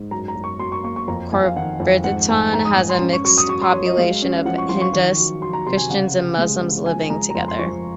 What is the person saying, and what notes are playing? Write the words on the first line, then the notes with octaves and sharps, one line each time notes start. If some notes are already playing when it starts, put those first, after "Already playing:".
Corriverton has a mixed population of Hindus, Christians and Muslims living together.
Already playing: G#2
F#2 A#5
A#5
F#2
C#6
F#2 C6
C#6
A#3 C#6
C#6
F2 A#5
F2 G#5
F5
D#3 F#5
F2
G#2 F#5
G#2 G#5
G#2 A#5
D#6
G#2
C6
C#4
C#6
F#3 C#6
D#6
F#3 C#6
C6
F#3 C#5
D#5
G#3 F5
C#4
F3 F#5
C#6
F3 C6
C#6
D#3 C#6
F#3
F#3 C6
A#5
C3 C6
G#5
C#3 F#5
C#3
G#3
C#3
F3 G#5
G#5
G#3 A#5
A#5
F2 C6
C6
F3 C#6